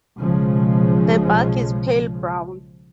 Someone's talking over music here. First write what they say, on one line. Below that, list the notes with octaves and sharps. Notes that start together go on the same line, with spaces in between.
The bark is pale brown.
B1 C#3 F3 G#3